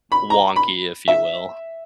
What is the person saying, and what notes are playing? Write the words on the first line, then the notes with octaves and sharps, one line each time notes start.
wonky, if you will?
B5
A#5
B5
E5